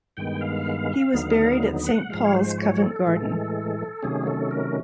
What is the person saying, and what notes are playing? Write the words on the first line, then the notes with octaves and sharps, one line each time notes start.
He was buried at Saint Paul's church, Covent Garden.
G2 D#3 G#3 B3 G5
F5
D#2 D3 F#3 B3 D#4
F#5
G#2 F3 G#3 F5
C#5
C5
C#5
A4
A2 E3 G#3
C3 D#3 F#3 A3 C#4 G#4
A4
A#4